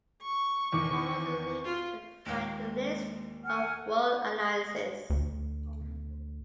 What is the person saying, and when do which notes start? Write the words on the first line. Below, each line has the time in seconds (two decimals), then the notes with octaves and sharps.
Follow the link to find the list of World Alliances.
0.22 C#6
0.72 E2 D#3 D6
1.65 F4
2.26 D#2 A#2 G#3
3.45 F#5 G#5 F6
5.10 D2